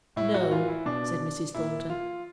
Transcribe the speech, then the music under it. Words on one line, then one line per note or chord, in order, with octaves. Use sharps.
'No!' said Mrs. Thornton.
A2 E4
F#4
E3 F4
E4
B2 D4
A#2 E4
F4